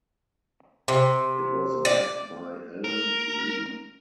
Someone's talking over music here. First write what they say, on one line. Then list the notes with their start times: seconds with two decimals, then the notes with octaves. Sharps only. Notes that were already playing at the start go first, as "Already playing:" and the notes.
It was backed by Allen Lee.
0.88 C3
1.85 D5
2.84 A#4